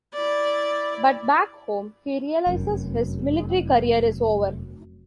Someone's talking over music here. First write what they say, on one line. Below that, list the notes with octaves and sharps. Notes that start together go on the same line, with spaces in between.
But back home he realizes his military career is over.
E4 D5
F1 F#2